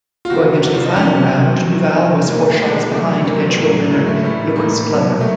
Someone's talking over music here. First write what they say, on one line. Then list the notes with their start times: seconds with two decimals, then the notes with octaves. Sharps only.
Going into the final round, Duval was four shots behind eventual winner Lucas Glover.
0.25 F4
0.30 C3 E3 G3 F#4
0.63 C3 E3 G3 F#4
0.74 F4
0.85 D#4
0.96 B2 F#3 C#4
1.29 B2 F#3 C4
1.61 C3 D#3 F#3 C4
1.93 C3 D#3 F#3
2.26 A#2 G3 A#3
2.43 A3
2.59 A#2 G3 G#3
2.92 C3 D#3 F#3 A3
3.25 C3 D#3 F#3 A#3
3.36 C4
3.47 B3
3.57 A2 F#3 A#3
3.90 A2 F#3 G#3
4.07 A3
4.23 A2 E3 G3
4.55 A2 E3 G3 A#3
4.89 B2 F#3
5.20 F#3 A3